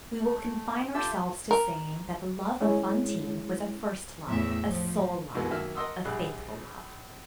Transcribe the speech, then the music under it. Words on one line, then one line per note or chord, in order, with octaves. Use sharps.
We will confine ourselves to saying that the love of Fantine was a first love, a sole love, a faithful love.
A3
F4 G4 A4 E5 E6
A#4
G#3 C#4 E4
E2 A2 E5
F3
C2 F#2 E3 G#3 A#3 B3
F#2 D#3 A#3 E5 F6
A#4 D#5 F#5 C6 D#6 E6
A#1 G3 G#4 F#6